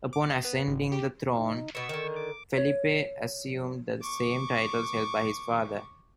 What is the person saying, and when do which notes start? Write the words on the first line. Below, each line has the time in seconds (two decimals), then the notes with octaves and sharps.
Upon ascending the throne, Felipe assumed the same titles held by his father.
0.13 D6
0.30 D#5
0.45 B3
0.68 G#1
0.92 G4
1.38 D#4
1.75 B2 B3 C#6 E6
1.89 D3 D#3
2.16 D6
2.57 C#5
4.01 C#6 D6